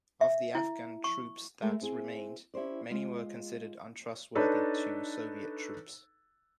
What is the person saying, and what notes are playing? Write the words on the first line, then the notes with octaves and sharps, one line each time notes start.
Of the Afghan troops that remained, many were considered untrustworthy to Soviet troops.
E5
E4
C#6
G#3 A3 A#4 E5
C4 E4 G#4
C#4 E4 G4 C5 D5
G#3 F4
D4 D#4 A4 B4 C#5